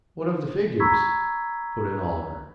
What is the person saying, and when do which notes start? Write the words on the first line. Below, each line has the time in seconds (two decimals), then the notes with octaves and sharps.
"What of the figures?" put in Oliver.
0.80 A#5 B5 C#6 E6 G#6 B6